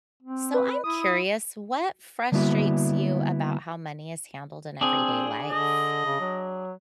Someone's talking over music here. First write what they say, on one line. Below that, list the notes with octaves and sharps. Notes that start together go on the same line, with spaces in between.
So I'm curious, what frustrates you about how money is handled in everyday life?
C4
B4
E4 D#6
D3 G3 A#3 B3 E4 F#4
C4 D4 G#4
D3 D#5
C#3
F#3